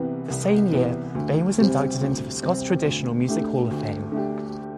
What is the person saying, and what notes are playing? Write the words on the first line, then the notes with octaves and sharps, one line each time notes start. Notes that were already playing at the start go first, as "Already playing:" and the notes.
The same year, Bain was inducted into the Scots Traditional Music Hall of Fame.
Already playing: C2 C3 E3 B3
C2
C3 E3 B3
D2
C3 G3 C4
D2
C3 G3 C4
D2
D3 A3 D4 G4
D2
D3 A3 D4 G4